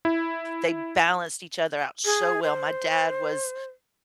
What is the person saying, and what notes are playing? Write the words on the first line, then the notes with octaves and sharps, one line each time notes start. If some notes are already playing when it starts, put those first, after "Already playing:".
They balanced each other out so well. My dad was
E4
G#4
C5